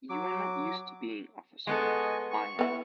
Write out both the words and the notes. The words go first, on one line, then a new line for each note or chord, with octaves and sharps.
You are not used to being officered; I am.
F#3 D6
G#3 B3 A4 D#5 G#5 C#6
C#6
B3 C4 E4